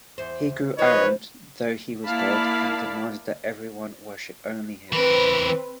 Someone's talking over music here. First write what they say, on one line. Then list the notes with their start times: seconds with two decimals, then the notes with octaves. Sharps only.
He grew arrogant, thought he was God, and demanded that everyone worship only him.
0.18 E2 C5
0.78 E3 F3 D#4 B4 C#5 D#5
2.04 A#3 E4 D5 F5 A5 B5
4.93 E3 C4 A#4 B4